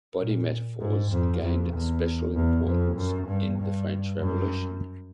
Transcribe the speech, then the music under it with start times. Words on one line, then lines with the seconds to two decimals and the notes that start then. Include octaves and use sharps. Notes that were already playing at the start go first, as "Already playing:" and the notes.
Body metaphors gained special importance in the French Revolution.
0.20 A#2
0.81 G#2
1.12 F2
1.43 F2
1.74 E2
2.36 E2
2.66 F2
2.97 F#2
3.28 G2
3.59 G2
4.21 F#2